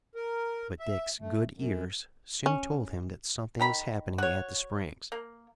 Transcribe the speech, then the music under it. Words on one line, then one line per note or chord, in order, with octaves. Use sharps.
But Dick's good ears soon told him that something was happening at the springs.
A#4
E5
A3
F#2
C#4
D#3 A#5 B5
F#4 C#5
A#3